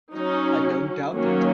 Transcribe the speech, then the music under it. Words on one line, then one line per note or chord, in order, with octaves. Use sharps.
I don't doubt it!
F#3 C#4 D#4
D#3 F#3 A#3 C#4